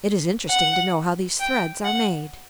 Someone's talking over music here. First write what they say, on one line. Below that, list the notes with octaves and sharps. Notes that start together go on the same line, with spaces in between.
It is interesting to know how these threads are made.
F#5
G5
F#5